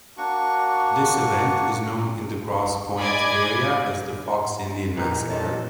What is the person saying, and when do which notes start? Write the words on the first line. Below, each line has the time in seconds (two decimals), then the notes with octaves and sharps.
This event is known in the Grosse Pointe area as the Fox Indian Massacre.
0.17 A#3 D4 F#4 C#6
2.99 D5 D#5 G#5 B5 D6 G#6
4.97 A#2 E3 D#4 A#4
5.29 G2 A4 C#5 D#5 A5